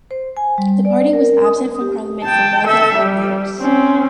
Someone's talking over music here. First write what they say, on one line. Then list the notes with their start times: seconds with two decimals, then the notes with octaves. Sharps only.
The party was absent from parliament for more than five years.
0.11 C5
0.37 G#5
0.58 G3
0.85 D5
1.13 A#4
1.44 D#6
1.81 G4
2.24 G5 A5
2.68 A4 E5
2.98 G3
3.60 C4 C#4